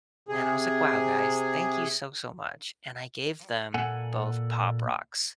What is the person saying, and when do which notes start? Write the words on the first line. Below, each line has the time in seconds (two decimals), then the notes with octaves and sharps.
And I was like, "Wow, guys. Thank you so, so much." And I gave them both Pop Rocks.
0.29 C3 G#4
3.74 A#2 A4 F#5 G#5